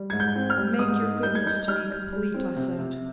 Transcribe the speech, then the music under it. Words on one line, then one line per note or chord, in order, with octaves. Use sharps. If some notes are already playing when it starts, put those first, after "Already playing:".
"Make your goodness to me complete," I said.
Already playing: G3
G#2 G#6
G6
C4
F6
G3
G#2 D#6
D#4
G3 G6
G#6
D#4 G6
G3 F6
G3
G3
C4
C3
C3